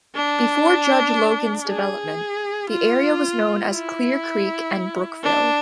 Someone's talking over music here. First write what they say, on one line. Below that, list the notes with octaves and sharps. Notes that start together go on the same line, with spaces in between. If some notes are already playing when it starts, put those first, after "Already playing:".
Before Judge Logan's development, the area was known as Clear Creek and Brookville.
D4
G#4
F4
E4
D4